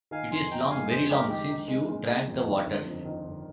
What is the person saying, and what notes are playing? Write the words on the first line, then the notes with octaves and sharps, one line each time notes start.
It is long, very long, since you drank the waters.
D#3 F5 G#5
F2 G#5 C6
D#4 G5 A#5
G#3 F5 G#5
F2 G#4 C5
G#3 G4 A#4
D#3 G4
D#4
G#3
G#3
G#3
F2
D#3
G1
F2
D#3
G1